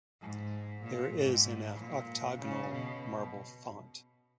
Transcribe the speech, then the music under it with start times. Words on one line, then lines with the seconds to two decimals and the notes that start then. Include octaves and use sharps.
There is an octagonal marble font.
0.22 G#2
0.84 A#2
1.16 G#2
1.79 A#2
2.40 C#3
2.72 B2